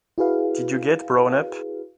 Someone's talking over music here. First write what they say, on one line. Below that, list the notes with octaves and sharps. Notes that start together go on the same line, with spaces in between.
Did you get blown up?
E4 F#4 G#4 B4 F5